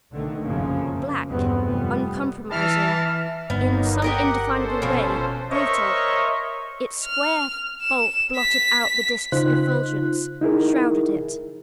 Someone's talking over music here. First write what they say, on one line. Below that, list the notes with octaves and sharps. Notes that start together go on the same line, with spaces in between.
Black, uncompromising, in some indefinable way BRUTAL, its square bulk blotted out the Disk's effulgence; shrouded it.
B1 D3 D#3 A3
F1 F#2 C#3 F3 A#3
E2 G2 D3 F#3 B3 C4
F1 G3 B3
E3 E5 A5 F6
G1 F#3 A#3 B3 D#4
G4 A#4 D#5 F#5
C#4 A4 C5
B2 F3
A#4 C5 C#5 D#5 E5 C#6
F6
E7
B6
C#3 D#4 F4 C5 F#6
D#4 E4 G#4 A#4